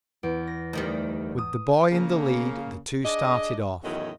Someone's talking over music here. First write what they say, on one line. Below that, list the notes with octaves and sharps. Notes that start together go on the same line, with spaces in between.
With the boy in the lead the two started off.
E2 D7
A#6
D2 D#3 G3
D#6
C#3 A#3
D4 G#4 D5 D#5
E2 A2 D#3 F#3 C#4 D#5